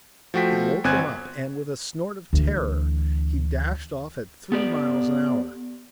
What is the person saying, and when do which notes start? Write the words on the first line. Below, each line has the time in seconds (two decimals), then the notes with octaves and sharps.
It woke him up, and, with a snort of terror, he dashed off at three miles an hour.
0.34 F3 A3 F#4 G5 B6
0.84 G1 C4 G#5 F#6 G#6
2.33 D2 E3
4.52 B3 G4 D5